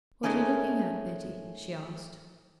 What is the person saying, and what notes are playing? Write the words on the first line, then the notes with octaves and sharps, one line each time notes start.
"What are you looking at, Betty?" she asked.
G#2 B2 G#3 A3 C#4 A#4